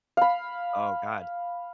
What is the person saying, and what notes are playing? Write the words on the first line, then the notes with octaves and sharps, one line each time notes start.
Oh, god.
F5 B5